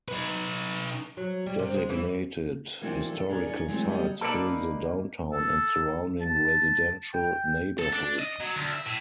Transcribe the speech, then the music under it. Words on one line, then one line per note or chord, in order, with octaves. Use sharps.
Designated historical sites fill the downtown and surrounding residential neighborhood.
D#4 B4
F#3
G3
C3
G#3
E3
E3 F3 A#3 C4 D4 F#4
F3 A4
B3 D4 G#4 A#4
F3 C#4 D#4
E3 F#3 G#3 A3 C4
D2 F#3 G3 B3 D#5
A#3 D#4 A4 B4 D5
A4
A5
G5
A4
D4
D#5
F#3
D2
E5
A2